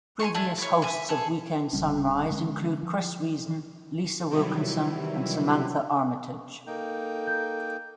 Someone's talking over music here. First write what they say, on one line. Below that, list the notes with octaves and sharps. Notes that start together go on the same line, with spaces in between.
Previous hosts of "Weekend Sunrise" include Chris Reason, Lisa Wilkinson and Samantha Armytage.
G#5 A#5 C6 C#6
D4 E4 G#5 A5
E4 C#5
E5 G#5
G#4 A4
D1 C#3 G3 C#4
D3 G#3 B3 C#4
F3
C3 D#3 E3 F#3 G3 E4
A#3 D#4 A4 G5
G6